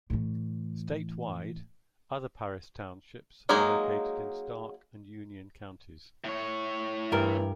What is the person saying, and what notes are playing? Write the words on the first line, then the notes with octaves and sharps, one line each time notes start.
Statewide, other Paris Townships are located in Stark and Union counties.
A2 E3
F#3 G#3 A#3 D#4 G#4
A2 C#5
G2 E3 G3 A#4